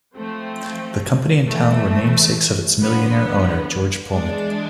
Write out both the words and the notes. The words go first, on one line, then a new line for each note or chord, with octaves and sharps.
The company and town were namesakes of its millionaire owner, George Pullman.
F3 A3 C4
A2 E3 A3
D3 F3 B3
E3 G#3 D4